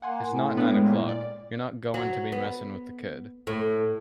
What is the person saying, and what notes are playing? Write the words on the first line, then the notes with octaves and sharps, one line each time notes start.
It's not nine o'clock... You're not goin' to be messin' with the kid'.
A#3 F#5 G#5 C6
A2
B3 D4 B4
G#3
A#2
D5
F#3
B3
A2